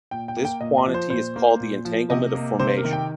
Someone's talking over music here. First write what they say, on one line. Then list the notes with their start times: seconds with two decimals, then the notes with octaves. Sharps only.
This quantity is called the entanglement of formation.
0.11 A#2 G5
0.28 G5
0.37 A#3
0.45 G5
0.61 A#2 D#5
0.78 D#5
0.86 F3
0.94 C5
1.10 A#2 C5
1.36 A#3
1.60 A#2
1.85 F3
2.10 C3 D#5
2.35 A#3
2.60 C3 C5
2.77 A#4
2.85 D#3
2.93 G5